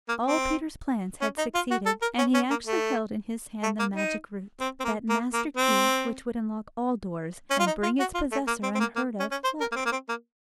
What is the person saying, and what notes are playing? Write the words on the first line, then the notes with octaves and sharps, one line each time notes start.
All Peter's plans had succeeded, and he actually held in his hand the magic root--that master-key which would unlock all doors, and bring its possessor unheard-of luck.
A#3
C4
C#4
D#4
F4
F#4
A4
A#4
C#4
C#4
A#3
A3
A3
A#3
D#4
C4
C4
A#3
A#3
A#3
C4
C#4
F4
D#4
F4
F#4
F4
A3
A#3
C4
C4
A#3
A#3
C#4
C#4
C5
A#4
A#3
C4
A#3
C4
A#3